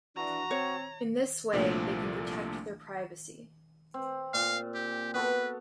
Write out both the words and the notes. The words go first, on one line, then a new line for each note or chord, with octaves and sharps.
In this way, they can protect their privacy.
E3 D4 F#4 A#5
C4 C#5
C2 A#2 F3 A3 D4
C4
A#2 F5
G4
B3 F#4 A4 B4